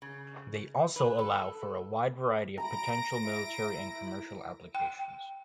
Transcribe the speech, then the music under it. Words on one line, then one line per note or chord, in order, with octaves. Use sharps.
They also allow for a wide variety of potential military and commercial applications.
C#3
B4
A4
A#5 B5 A#6 D7
E4
G5